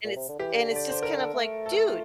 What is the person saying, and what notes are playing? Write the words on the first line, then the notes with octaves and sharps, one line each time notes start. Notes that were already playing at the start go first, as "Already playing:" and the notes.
And it's and it's just kind of like, "Dude,
A#2
C3
D3
E3 G4
D3
D3
D5
C5
A#4
A4
A3
A4
A#4
A4
F4